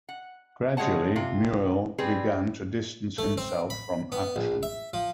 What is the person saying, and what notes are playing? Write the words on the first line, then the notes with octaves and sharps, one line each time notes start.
Gradually, Muehl began to distance himself from "Aktion".
F#5
C#3 G3 G#3 C#5 F#5 A5
C3 F4
G3 C4 G#4 B4
A3
C4
B5
B3
A#1
E5
F3